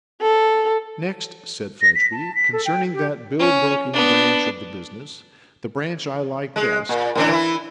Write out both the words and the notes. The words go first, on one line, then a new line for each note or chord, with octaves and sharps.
'Next,' said Fledgeby, 'concerning that bill-broking branch of the business; the branch I like best.
A4
A#6
B6
A5
B6
A4
G5
G4
C#4
B3 D4
G#3
A#2
A2 E3 D4
E3 E4